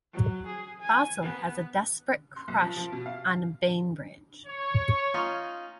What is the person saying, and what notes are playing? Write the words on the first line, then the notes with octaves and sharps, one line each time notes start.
Fossil has a desperate crush on Bainbridge.
F#3
G#4
G#5
B3
C6
B1
F3
F3
B2
F5
C#5
C#4 D#4 F4